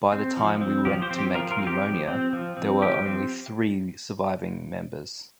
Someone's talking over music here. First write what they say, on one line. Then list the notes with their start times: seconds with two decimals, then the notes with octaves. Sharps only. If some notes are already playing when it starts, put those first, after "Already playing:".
By the time we went to make "Pneumonia", there were only three surviving members.
0.12 C4
0.37 F3
0.61 C4
0.85 F3 G4
1.02 G4 C5
1.11 C4
1.19 G4
1.34 F3 F4 A#4
1.51 F4 A#4
1.59 C4
1.67 G4
1.84 F3
2.08 C4
2.33 F3
2.57 C4
2.82 F3 G4
3.06 C4